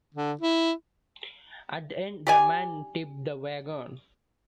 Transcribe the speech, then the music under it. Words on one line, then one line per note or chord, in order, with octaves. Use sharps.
At the end the man tipped the wagon.
D3
E4
G4 D5 G#5